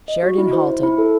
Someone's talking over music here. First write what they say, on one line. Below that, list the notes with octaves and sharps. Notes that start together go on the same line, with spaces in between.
Sheridan halted.
D#5
F#4
E4
C5
E4
E4
A4